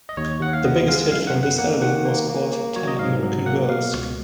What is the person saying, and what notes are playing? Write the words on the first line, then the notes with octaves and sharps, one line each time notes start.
The biggest hit from this album was called "Ten American Girls".
D#5
D#2 C#5
D#2 F#5
F5
B3 D#5
G#3 F5
F#2 F5
F#5
B3
F#5
A#3 F#5
D#3 F#5
A#3
A#3
A#3
F#3 C#5
D#5
G#2 F5
F#3
A#3 F#5
B2 F5
C#2